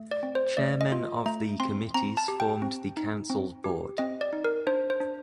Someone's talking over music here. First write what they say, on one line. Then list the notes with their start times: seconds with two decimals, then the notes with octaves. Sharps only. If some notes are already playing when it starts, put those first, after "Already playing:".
Chairmen of the Committees formed the Council's Board.
Already playing: A3
0.11 D5
0.23 C4
0.35 C5
0.57 A3 D5
0.81 D#5
0.92 F4
1.26 A3 A#5
1.60 C4 C6
1.94 C4 A#5
2.17 A5
2.28 G4
2.40 G5
2.62 C4
2.97 D#4
3.30 C4
3.64 G4
3.98 C4 D#5
4.21 D5
4.33 D#4
4.44 A#4
4.67 D4 C5
4.90 C5
5.00 D4